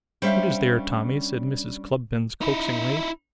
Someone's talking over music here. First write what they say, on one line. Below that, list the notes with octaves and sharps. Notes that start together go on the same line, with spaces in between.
'What is there, Tommy?' said Mrs. Cluppins coaxingly.
G3 C#4 D4 C5 E5 F5
D#4 E4